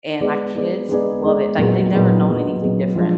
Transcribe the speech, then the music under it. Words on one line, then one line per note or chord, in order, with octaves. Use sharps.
and my kids love it. Like, they've never known anything different.
G#3 B3 D#4 G#4 D5
G#3 B3 D#4 G#4 D5
G#3 B3 D#4 G#4 D5
G#3 B3 D#4 G#4 D5
A#2 F#3 B3 D#4 G#4
A#2 F#3 B3 D#4 G#4
A#2 F#3 B3 D#4 G#4
A#2 F#3 B3 D#4 G#4
F3 G#3 D4 F4